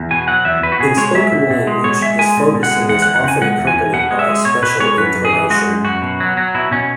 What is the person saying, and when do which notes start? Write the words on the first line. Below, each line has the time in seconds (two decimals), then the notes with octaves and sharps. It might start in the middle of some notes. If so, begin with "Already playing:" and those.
In spoken language, this focusing is often accompanied by a special intonation.
Already playing: E2
0.11 B2 G#5
0.28 F#3 F#5
0.45 E2 E5
0.63 E2 B4
0.72 F#4
0.80 B2 G#4
0.97 G#3 C#5
1.15 G#3 E5
1.32 B2
1.51 B2
1.67 G#3
1.84 B2 C#5
2.02 G#3 E5
2.19 G#3 G#5
2.37 B2
2.55 B2
2.63 F#5
2.71 G#3
2.89 E2 F#5
3.02 F#5
3.07 E2
3.16 F#5
3.24 C#3 G#5
3.41 G#3 F#5
3.58 E2
3.67 G#5
3.76 E2
3.93 B2 F#5
4.11 G#3
4.19 E5
4.29 G#3
4.45 B2 C#5
4.62 B2 B4
4.80 G#3 C#5
4.97 F#2 B4
5.15 F#2
5.25 G#4
5.32 E3
5.50 G#3 F#4
5.68 F#2
5.85 F#2 F#4
6.02 B2
6.20 F#3
6.37 F#3
6.55 B2 E4
6.71 B2 C#4